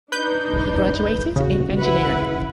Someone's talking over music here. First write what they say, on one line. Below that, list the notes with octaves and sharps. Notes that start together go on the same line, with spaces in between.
He graduated in engineering.
D4 D#4 B4 G6
C#3 F#4
E4 B4 F#5